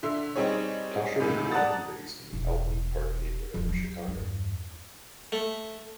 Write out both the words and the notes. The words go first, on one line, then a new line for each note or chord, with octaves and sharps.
Tasha was born and raised in the Albany Park neighborhood of Chicago.
D3 E5 C6
G3 C4 D#4 G#4 C#5
C#2 A2 C3 D#3 G#3
D5 F#5 A5 A#5 D#6 A6
E1
D#1 F2
F#3
E2 G2
A3